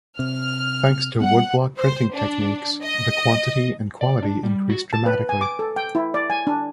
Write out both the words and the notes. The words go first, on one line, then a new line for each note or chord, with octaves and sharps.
Thanks to woodblock printing techniques, the quantity and quality increased dramatically.
C3 F6
G3 A3 B3 F#5
C5
D4
D#5
D5
D4
G3
F#4
A5
B4
G#5
D6
A4
G5
E4
D5
G#5
D4